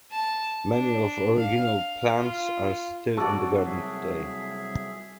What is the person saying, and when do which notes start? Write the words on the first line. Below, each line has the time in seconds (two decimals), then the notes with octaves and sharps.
Many of the original plants are still in the garden today.
0.11 A5
0.69 D4
1.37 F5
2.16 F4
3.17 C2 F#3 F#4 D5 A5 C#6 E6
3.65 G#4 E5